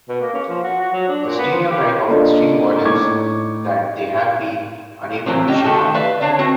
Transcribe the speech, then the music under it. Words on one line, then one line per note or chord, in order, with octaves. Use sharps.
The stereotype of extreme violence that they have been unable to shake off?
B2
A#3
C#4
F3
F#4
F#4
F#3
D4
A#2
B3
F3
G4
A#3 D4 F4 A4 D#5
A2 D#4 C#6 D6 G#6
E3 F#3 A3 C4
C#4 G4 D#5 G5
D#3 A3 F#4 G4 A4
B4 D5 E5 F5
D3 D4 C#5 A5
C4 F#4